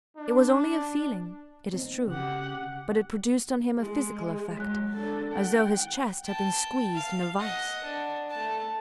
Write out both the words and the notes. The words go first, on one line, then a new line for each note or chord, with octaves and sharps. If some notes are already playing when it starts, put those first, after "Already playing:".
It was only a feeling, it is true, but it produced on him a physical effect, as though his chest had been squeezed in a vice.
D4
C4 D#4
C#3 G4 F#5
G#3
F#3 G#3 F#6
D4 A4
F#5 G5
G5 A5
F5
D#5 F#5
D4
A3 A5